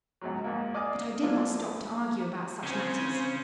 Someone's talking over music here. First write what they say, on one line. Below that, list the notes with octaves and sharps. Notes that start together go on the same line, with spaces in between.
But I did not stop to argue about such matters.
C#2 G#2 F#3
D#2 G#2 A#3
D5 D#5 F5 G#5 D6
E3 F3 G#3 A#3 D4
C#3 C4 C#4 C5 G#5